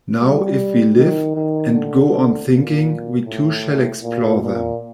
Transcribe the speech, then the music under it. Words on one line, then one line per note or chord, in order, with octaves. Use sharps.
Now if we live, and go on thinking, we too shall explore them.
G3
D#3
D#3
D3
A#2
A2
A#2
A#2